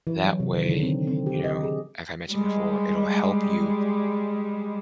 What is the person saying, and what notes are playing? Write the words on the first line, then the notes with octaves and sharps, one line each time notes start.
That way, you know, like I mentioned before, it'll help you,
E3
F#3
C3
D#3
D3
C4
C4
G4
D#5
G#4
G3 G#3